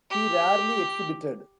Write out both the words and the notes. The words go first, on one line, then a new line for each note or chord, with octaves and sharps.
He rarely exhibited.
G4